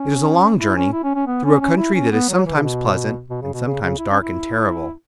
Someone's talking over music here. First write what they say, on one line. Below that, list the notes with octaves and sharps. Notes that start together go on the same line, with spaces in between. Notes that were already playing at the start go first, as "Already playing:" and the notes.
It is a long journey, through a country that is sometimes pleasant and sometimes dark and terrible.
Already playing: C#4
E4
C#4
E4
C#4
C#4
B3
C#4
C#4
E4
C#4
B3
F#3
E3
C#3
B2
B2
C#3
B2
C#3
C#3
E4
C#4
E4